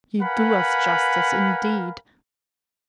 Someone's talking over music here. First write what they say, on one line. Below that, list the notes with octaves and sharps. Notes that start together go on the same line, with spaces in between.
You do us justice, indeed.
A#4 B4 F5 F#5 G#5 B5